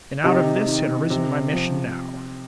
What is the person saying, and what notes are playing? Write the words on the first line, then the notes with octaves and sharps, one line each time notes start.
And out of this had arisen my mission now.
C3 D#4 G4
D#3
C3
F3